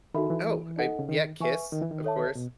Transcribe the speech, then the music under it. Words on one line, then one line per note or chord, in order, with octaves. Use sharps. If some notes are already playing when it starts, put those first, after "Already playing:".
Oh, I yeah, Kiss, of course.
D#3 D#4 F#4 A4 E5 B5
E3
D#4 A4 D#5 F#5
C#3
D#3
E3 B4 E5 G#5 C#6
D#3
E3
D#3
A4 C#5 E5 A5
B2